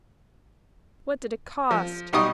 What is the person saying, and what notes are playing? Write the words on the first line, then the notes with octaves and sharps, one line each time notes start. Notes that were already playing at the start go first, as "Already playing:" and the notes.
"What did it cost?"
F3
B1 G3 D#4 C#6 D#6